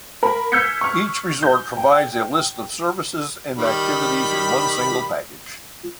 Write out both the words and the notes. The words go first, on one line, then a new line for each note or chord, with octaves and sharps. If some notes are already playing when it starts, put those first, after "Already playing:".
Each resort provides a list of services and activities in one single package.
A#4 B5
E6 F6 G6 G#6 B6 C#7
C#6 F6
G6
G5
D#3 G3 B5